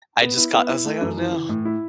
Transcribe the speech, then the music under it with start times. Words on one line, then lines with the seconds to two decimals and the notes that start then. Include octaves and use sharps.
I just got I was like, "Oh no."
0.22 B3
0.38 E4
0.54 B3
0.69 E4
0.85 A3
1.01 F#2
1.17 E3
1.33 E3
1.49 A2
1.65 E4